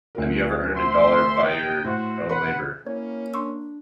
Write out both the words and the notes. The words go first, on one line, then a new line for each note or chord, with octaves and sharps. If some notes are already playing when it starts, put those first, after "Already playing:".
Have you ever earned a dollar by your own labour.
D2 F4 A#4
C5 E5 C6
D#4 G5
A2 F#4 C5 E5
B4 F#5 B5 C6
A#3 C#4 E4 C#5
D4 C6 C#6 E6